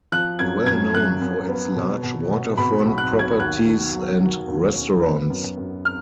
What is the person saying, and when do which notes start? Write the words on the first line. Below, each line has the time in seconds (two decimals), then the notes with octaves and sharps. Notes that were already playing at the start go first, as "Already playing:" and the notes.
It's well known for its large waterfront properties and restaurants.
0.12 F3 F#6
0.39 F#2 G#6
0.66 F#2 G#6
0.94 F#2 F#6
1.21 F#2
1.49 B3
1.76 B2
2.03 B2
2.31 B2
2.57 B2 B5
2.85 B1
2.98 F#6
3.12 B1
3.19 G#6
3.40 D#2 F#6
3.67 D#3
3.93 F#3
4.21 F#3
4.48 D#2
4.76 C#4
5.03 B3
5.30 F#2
5.57 F#2
5.85 F6